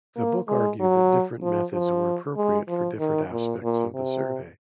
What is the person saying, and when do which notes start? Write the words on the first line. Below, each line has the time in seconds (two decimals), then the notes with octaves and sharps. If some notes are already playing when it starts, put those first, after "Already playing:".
The book argued that different methods were appropriate for different aspects of the survey.
0.16 A#3
0.48 G#3
0.80 F#3
1.42 F3
1.73 F3
2.37 G#3
2.68 F3
2.99 D#3
3.31 A#2
3.63 A#2
3.95 C3